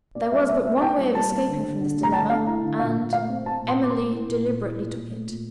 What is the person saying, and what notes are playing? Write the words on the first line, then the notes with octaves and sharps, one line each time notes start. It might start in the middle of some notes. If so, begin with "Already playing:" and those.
There was but one way of escaping from this dilemma--and Emily deliberately took it.
A#3 D5
G3 E5
A#3 E5
A#3 E5
A5
A#3 G5
G3
G3 A5
A#3
D3
D3
D3
A3
A#5
D3 A5
A3 F5
E4 A#5
D3
A#2 F5
A#2
A3 F5
C4
C4 A5
A#2
C6
A#2 D6
C6
A3
E4
A#2
A#2
E4
A#2
A#2
A3
A#2